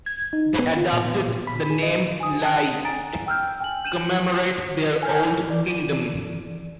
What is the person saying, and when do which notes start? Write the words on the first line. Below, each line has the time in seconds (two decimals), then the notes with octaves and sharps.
They adopted the name Lai to commemorate their old kingdom.
0.06 G#6
0.33 D#4
0.59 B3
0.77 F4
0.93 A#2
1.07 B3
1.28 A#2
1.47 B5
1.70 G#4
1.83 D#5
2.20 G#5 D#6
2.42 A5 F#6
2.85 G#5 A#5 A6 D7
3.27 G5 E6 F6 G6
3.60 G5 G#5 F#7
3.84 G6 D#7 E7 F#7
5.03 G#5 F6 G6
5.49 E3 D5